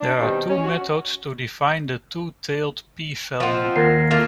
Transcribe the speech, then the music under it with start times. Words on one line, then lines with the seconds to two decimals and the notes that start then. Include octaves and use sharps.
There are two methods to define the two tailed p-value.
0.01 D4
0.19 B2 D#3 G3 C4 D#4
0.49 C#4
0.64 F#4
3.40 F3 C4 D#5 F#5
3.76 D#2 A#4 A#6 C7
4.11 A3 A#3 F4 F6